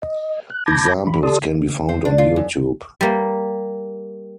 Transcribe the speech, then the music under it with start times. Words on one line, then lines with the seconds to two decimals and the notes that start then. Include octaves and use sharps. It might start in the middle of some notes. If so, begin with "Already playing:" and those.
Examples can be found on YouTube.
0.02 D#5
0.50 F#6
0.66 A5 B5 D6 G6 G#6 A#6
1.07 E3 B5
1.23 G4 A4 D5 A5 C6 D#6
1.89 C4
2.05 D4
2.18 F4
2.36 F#2
3.01 G3 A#3